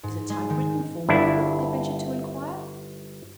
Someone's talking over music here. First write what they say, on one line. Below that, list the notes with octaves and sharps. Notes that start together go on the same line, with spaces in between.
'Is a typewritten form legal?' I ventured to inquire.
G#2
G#3
D#3
G1 D4 E4